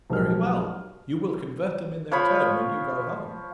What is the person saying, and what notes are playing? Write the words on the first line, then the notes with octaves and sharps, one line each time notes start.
"Very well; you will convert them in their turn when you go home."
B1 F3 G#3 G4 A#4 F6
F3 C#5 B5